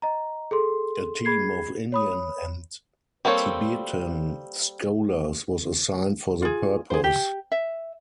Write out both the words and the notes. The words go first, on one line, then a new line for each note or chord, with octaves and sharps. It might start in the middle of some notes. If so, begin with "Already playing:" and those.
A team of Indian and Tibetan scholars was assigned for the purpose.
D#5 A#5
G#4 A4 C6
G#4 B5 G#6 C7
C#5 B5 D#6
G3 A#3 C4 A4 C#5
F4 G#4
G#4 C5
G4
E5